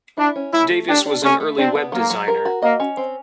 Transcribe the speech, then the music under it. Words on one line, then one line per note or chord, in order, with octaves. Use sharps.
Davis was an early web designer.
D4 E4
C#4
A3 E4
A3
D4 G4
D4
A3 C#4
A3
C4 D4
B3
F#3 A#3
F#3
A#4
F#4
A#3 D#5
C#4
C4